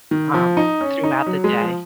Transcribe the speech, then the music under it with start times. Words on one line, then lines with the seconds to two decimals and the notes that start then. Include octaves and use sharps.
um, throughout the day.
0.11 D#3
0.34 F3
0.57 D#4
0.81 C#4
1.04 D#4
1.26 F#3
1.44 G#3
1.61 F3